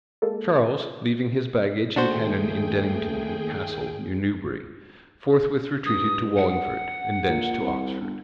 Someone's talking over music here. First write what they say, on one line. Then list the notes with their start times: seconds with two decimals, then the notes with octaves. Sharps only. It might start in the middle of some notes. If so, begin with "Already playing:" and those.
Charles, leaving his baggage and cannon in Dennington Castle, near Newbury, forthwith retreated to Wallingford, and thence to Oxford.
0.22 G#3 A#3 A4
1.96 D#2 A3 D4 F#4 G#4 C5 G5
5.86 G2 D#6
6.37 F#5
7.29 A#2
7.61 C2
8.01 G1